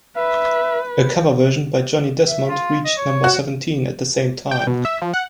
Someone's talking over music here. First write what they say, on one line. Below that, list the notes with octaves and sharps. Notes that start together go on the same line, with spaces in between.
A cover version by Johnny Desmond reached number seventeen at the same time.
B4 E5
E5
F4
D#5
C#5
F#4
G5
B2
E5
F3
F#5